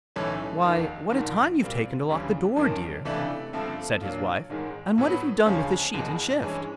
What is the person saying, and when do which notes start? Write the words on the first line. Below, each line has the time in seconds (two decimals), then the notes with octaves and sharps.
'Why! what a time you've taken to lock the door, dear!' said his wife; 'and what have you done with the sheet and shift?'
0.16 B1 A2 E3 A3 C#4
0.64 F1 D#2 D#3
1.12 A#1 G#2 D#3
1.60 A#2 G3 C4
2.09 D2 C#3 E3 G3
2.57 F#1 F#2 D#3
3.05 C#2 C3 E3 A3 D4
3.53 G2 D3 F3 A3 C4
4.01 A#2 F#3 A#3 D4 F4
4.50 A1 G#2 D#3 G#3
4.98 A2 F#3 B3
5.45 D2 C#3 F3 G#3 C#4
5.94 F#1 E2 B2 G#3
6.42 G2 E3 G#3 C#4